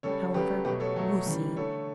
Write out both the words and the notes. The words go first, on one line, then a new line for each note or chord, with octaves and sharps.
However, we'll see.
C#3 G3 A4 C#5
C#3 F#3 A3 G4 B4
B2 F#3 A3 G4 B4
A4 C#5
B2 F#3 A3
C#3 E3 G3
D3 A3 A4 C#5